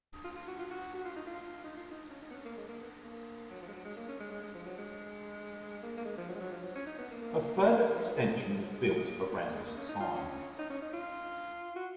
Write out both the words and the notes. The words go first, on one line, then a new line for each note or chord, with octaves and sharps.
A further extension was built around this time.
F4
F4
F#4
F4
F#4
F#4
F4
D#4
F4
D#4
F4
D#4
C#4
D#4
B3
C#4
A#3
G#3
A#3
B3
A#3
F#3
F3
G#3
F#3
G#3
A#3
C#4
G#3
G#3
G#3
F3
F#3
G#3
A#3
A#3
G#3
F3
F#3
G#3
F#3
F3
F#3
C#4
D#4
B3
A#3
A#3
F3
F#3
G#3
F#3
G#3
F3
F#3
G#3
F#3
G#3
A#3
C#4
B3
A#3
G#3
A#3
C#4
D#4
F4
C#4
C#4
D#4
C#4
D#4
F4
F#4